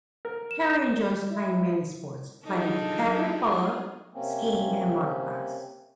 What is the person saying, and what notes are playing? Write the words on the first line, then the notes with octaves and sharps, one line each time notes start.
Harry enjoys playing many sports, playing competitive polo, skiing, and motocross.
A#4
E7
E4
F#3 D4 D#4 F4 G#4 A4
C3 A#3 C4 C#4